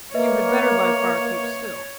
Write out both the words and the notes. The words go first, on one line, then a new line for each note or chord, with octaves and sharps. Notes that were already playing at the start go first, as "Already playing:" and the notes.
You had better by far keep still.
A#3 B4 C#5 D#5 E5